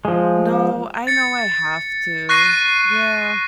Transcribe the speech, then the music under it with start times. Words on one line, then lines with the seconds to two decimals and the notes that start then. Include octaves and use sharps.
No, I know I have to. Yeah.
0.05 F3 G#3
1.07 A6 C#7
2.29 C#6 F#6 A#6 C7 D#7